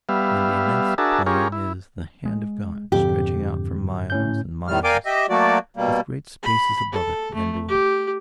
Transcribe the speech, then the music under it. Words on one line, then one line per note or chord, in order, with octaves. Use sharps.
And the immense plain is the hand of God, stretching out for miles and miles, with great spaces above it and below it.
G3 B3 E5 F5
D4 F#4 G#4 A#4 E5 A5
C#4 F4 G4 G#4 A#4 C#5
E4
G#3
F2 G#2 B2 D3 G4
A2 C#4 G6
A2 D#3 E3 G3 F6
A#4 D5 F5 G5 G#5 D6
G4 D#5 E5
F#3 A3 A#3 F#4 D5
B2 G3 A#3
B5
A4
A3
G4